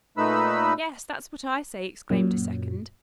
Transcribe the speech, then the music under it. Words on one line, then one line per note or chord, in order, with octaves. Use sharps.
"Yes, that's what I say!" exclaimed a second.
A#2 A3 D#4 B4 B5 E6
F#2 A#2 F#3